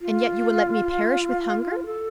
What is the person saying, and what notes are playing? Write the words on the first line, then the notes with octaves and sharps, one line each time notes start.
"And yet you will let me perish with hunger?"
F4
A4